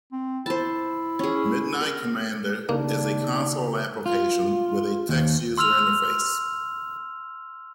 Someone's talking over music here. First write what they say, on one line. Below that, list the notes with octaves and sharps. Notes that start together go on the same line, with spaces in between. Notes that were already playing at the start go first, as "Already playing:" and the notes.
Midnight Commander is a console application with a text user interface.
C4
E4 C5 A5
C#4 G#4
A#4
D#2 C#3 A#3 D4
F4
D#2
C6 E6 F6 F7